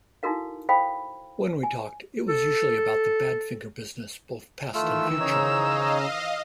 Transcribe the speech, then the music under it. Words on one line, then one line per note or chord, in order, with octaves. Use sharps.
When we talked it was usually about the Badfinger business both past and future.
D#4 E4 F#4 A4 A#4 F5
A4 C5 F5 G5 B5
G#5
A4
D#3 E3 A3 F4 E6
C#3 C#4 D#4 C5 C#5 A#5
D#5 F5